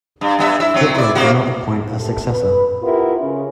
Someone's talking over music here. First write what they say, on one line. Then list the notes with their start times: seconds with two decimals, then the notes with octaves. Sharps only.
Hitler did not appoint a successor.
0.21 G2
0.39 G2 B3 E5
0.60 E4 E5
0.74 F#3 C4
0.94 E4 D5
1.15 C3 A#3 F#4
1.99 C3 A4
2.32 B4
2.82 B3 E4 F4 G4 A#4 B4
3.19 C#3